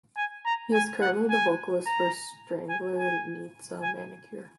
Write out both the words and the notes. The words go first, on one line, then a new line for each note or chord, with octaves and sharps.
He is currently the vocalist for Strangler Needsa Manicure.
G#5
A#5
G#5
F#5
G#5
A#5
G#5
G#5
G#5